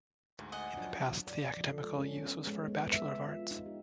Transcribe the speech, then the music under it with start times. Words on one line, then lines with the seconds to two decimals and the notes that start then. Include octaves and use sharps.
In the past, the academical use was for a Bachelor of Arts.
0.39 D2 G#2
0.52 D#5 F#5 G#5
0.77 F3 F#3 D4
1.27 D5
1.57 F3
1.70 A4
1.83 G#3
1.99 C#4
2.17 B3
2.47 G#3
2.67 B3
2.93 E5
3.28 F4
3.51 D#4
3.66 G4